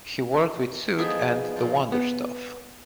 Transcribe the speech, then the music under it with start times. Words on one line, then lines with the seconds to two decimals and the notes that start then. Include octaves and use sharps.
He worked with Suede and The Wonder Stuff.
0.98 F3 B3 D#4 G#4 E5
1.56 A#2 F3
1.92 B3